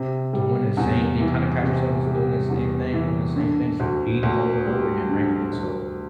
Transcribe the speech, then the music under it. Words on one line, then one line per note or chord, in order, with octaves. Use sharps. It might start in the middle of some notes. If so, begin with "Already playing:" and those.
doing the same thi you kinda catch yourself just doing the same thing, doing the same thing, just repeating over and over again, right? And so,
Already playing: C3
G3
E2
E3
C3
G3
E2
E3
D3
D2
D2
G3
D3
D2